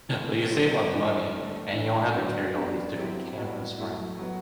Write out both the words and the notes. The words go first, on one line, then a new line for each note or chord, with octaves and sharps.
so you save a lot of money, and you don't have to carry all these different cameras around.
E3 A3 C4 E4
F#3 C4 E4 G4
E3 G3 D4
D3 A3 D4
A2 E3 A3 D4
D3 F#3 B3 F#4
G3 B3 D4 G4
F#3 C4 E4 G4
A2 G3 B3 F#4
F#3 A3 E4
F#3 B3 F#4